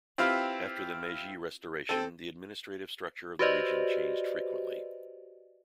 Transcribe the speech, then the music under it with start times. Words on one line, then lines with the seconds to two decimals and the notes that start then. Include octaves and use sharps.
After the Meiji Restoration the administrative structure of the region changed frequently.
0.18 C4 E4 F4 G4 B4 F5
1.89 C4 A4
3.39 F#4 G4 B4 C5 D5 D#5